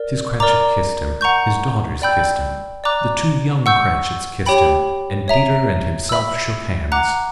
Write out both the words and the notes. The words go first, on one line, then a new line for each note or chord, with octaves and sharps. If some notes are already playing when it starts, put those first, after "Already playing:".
Mrs. Cratchit kissed him, his daughters kissed him, the two young Cratchits kissed him, and Peter and himself shook hands.
Already playing: A#4 D5
A#4 D5 A#5 D6
F#5 A#5 C#6 G6
D5 G5 B5 E6 G6
D5 A#5 D6 F#6
F#5 C#6 E6 G6
G4 C#5 G5 B5
C#5 E5 A#5
E5 B5 E6
F#5 A#5 D6 F#6